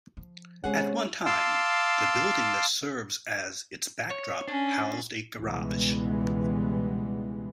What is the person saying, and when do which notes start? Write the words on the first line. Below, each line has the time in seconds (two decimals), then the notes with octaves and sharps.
At one time, the building that serves as its backdrop housed a garage.
0.17 F3
0.64 C3 G#3 B3 C#4 G#4 F#5
1.26 F5 A5 C6 D6 E6
4.10 C#5
4.48 C#4 D4
5.37 C#2 B2 E3 G3 G#3 B3